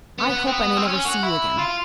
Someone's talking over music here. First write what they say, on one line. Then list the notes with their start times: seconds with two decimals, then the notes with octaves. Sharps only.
I hope I may never see you again.
0.18 B3
0.29 B3
0.47 C4
0.53 B3
0.77 C4
0.88 C#4
1.05 F#4
1.23 E4
1.59 F4